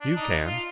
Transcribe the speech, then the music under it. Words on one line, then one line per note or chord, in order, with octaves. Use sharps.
You can.
D4
D#4
F4